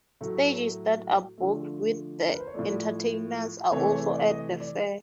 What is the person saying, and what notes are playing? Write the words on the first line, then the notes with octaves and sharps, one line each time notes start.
Stages that are booked with entertainers are also at the fair.
A2 F#3 A3
D3 F3 A3
A#4
B4
C5
C#5
A2 F3 A3 D5
C3 E3 A3 C#5
C#5
D5
D#5
D5